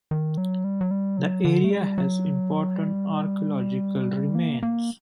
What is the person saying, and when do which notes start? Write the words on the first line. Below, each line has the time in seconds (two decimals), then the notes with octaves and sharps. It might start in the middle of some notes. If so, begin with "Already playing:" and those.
The area has important archaeological remains.
0.11 D#3
0.38 F#3
0.64 G3
0.81 F#3
0.91 G3
1.17 F#3
1.45 D3
1.64 A3
1.71 G3
1.98 F#3
2.77 G3
4.35 A#3
4.63 A#3